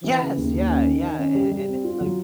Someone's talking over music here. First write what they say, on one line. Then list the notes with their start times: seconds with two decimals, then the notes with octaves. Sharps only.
Yes! Yeah, yeah and and it's like
0.04 E3
0.21 C#3
0.37 D#2
0.54 D#2
0.69 C#4
0.86 D#3
1.03 D#3
1.19 C#4
1.35 G3
1.52 G3
1.68 C4
1.84 F4
2.01 F#3